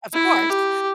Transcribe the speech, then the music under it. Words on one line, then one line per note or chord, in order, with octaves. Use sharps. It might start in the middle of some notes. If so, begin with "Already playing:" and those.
Of course.
E4
G4